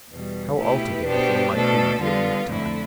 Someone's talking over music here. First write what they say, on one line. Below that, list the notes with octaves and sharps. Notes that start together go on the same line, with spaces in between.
How altered every thing might be during that time!
E2 B2 G3
B2 A3 E4 G4 B4
B2 B3 D4 G4 C5
B2 A3 D4 A4
D3 G3 B3 F4
F2 D3 A3 E4